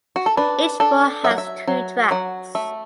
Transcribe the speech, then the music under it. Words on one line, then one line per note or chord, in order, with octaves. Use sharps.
Each bore has two tracks.
F#4
A4
D4 B4
D4 A4
F#3 E5
F#5
E5
F#3
F#3 F#5
A3 E5